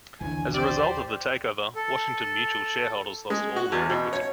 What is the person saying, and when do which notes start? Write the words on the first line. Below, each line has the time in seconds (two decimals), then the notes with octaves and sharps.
As a result of the takeover, Washington Mutual shareholders lost all their equity.
0.21 A#1 D#2 D3 E3 G#5
0.54 G4 C5 D5
1.75 A4
3.30 G#3
3.56 F#4
3.72 E2
3.90 B2
4.13 C#5